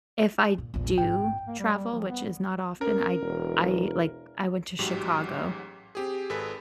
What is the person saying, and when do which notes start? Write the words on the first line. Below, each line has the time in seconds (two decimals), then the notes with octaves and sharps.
If I do travel, which is not often, I I, like, I went to Chicago,
0.58 A#2
0.74 A#1 E2
0.98 G#1 G5
1.47 A#3
1.59 G3
1.72 G3
1.92 F3
2.08 B3
2.81 C#4 A#4
3.21 E1
4.78 A1 G#2 F#3 G4
5.95 C4 G4 G#4
6.30 G#1 G#4 A4 B4 B6